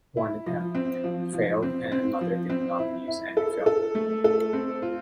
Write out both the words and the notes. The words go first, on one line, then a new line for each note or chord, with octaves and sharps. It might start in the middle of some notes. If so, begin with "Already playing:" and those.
One attempt failed and another did not use any film.
E4
F3
C4
F3
F3
C4
C4
F3
C4
E4
E4
A4
A4
A3
A4
C4
F4